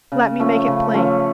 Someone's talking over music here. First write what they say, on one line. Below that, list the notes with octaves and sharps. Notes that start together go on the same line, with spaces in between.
Let me make it plain.
C#3
F3 A3 C#4
C#3
F3 A3 C#4